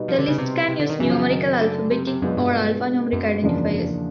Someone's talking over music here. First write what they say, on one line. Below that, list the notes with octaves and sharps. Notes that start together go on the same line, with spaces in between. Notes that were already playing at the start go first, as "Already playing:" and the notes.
The list can use numerical, alphabetic, or alpha-numeric identifiers.
Already playing: B2 G3 B3 D#4
F3
D3
C#3
C3
C3
D3
D#3
F#2 C#3 E3 F#3
F3
E3
D#3
D3
C3
C3
F#2 B2 G#3 B3 D4 F4
G2
F#2
E2 C#3 F3 A#3 D4